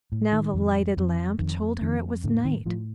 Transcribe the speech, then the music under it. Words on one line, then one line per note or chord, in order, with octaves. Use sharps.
Now the lighted lamp told her it was night.
A2
D#3
F2
F2
F2 D#3
F2 D#3
A2 D3
D#3
A2 F3